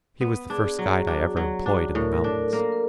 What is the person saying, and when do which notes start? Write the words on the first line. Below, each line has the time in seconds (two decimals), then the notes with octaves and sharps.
He was the first guide I ever employed in the mountains.
0.21 B3
0.50 D4 G#4
0.79 F#3 F#4
1.07 D4
1.37 F#3
1.66 D4
1.95 A2 A#4
2.13 A#4
2.24 D4 A4
2.53 A#3 A#4
2.72 A#4